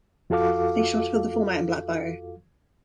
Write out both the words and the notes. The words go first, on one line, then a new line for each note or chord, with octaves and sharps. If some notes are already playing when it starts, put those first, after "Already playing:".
Make sure to fill the form out in black biro.
F2 F4 F#4 A4 F5 D6